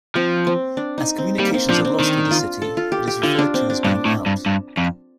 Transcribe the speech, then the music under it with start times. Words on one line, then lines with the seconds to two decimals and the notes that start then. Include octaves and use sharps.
As communications are lost with a city, it is referred to as being out.
0.15 F3 C4
0.47 C4
0.77 D4
0.98 D#4
1.18 C4
1.39 G3 A#3
1.54 C4
1.69 F3 D4
1.85 C4
2.00 D#3 D4
2.31 F4
2.62 A4
2.77 F4
2.92 G4
3.07 G4
3.23 D3 F4
3.39 D4
3.54 C4
3.70 D4
3.84 G2 D4
4.05 A2
4.26 G2
4.46 G2
4.77 F2